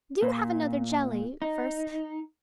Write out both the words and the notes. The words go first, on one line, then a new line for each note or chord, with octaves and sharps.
Do have another jelly first.
A#2
D#4